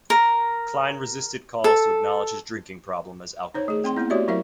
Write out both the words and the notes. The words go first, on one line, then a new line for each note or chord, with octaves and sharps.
Klein resisted calls to acknowledge his drinking problem as alcoholism.
A#4
A4
D#4 C5 C#5
A3 G#4
C4 G5 C6
A#3 B3 E4
A3 F#4 G4 C#5 D5 E5
F#3 E4 A#4 E5 F5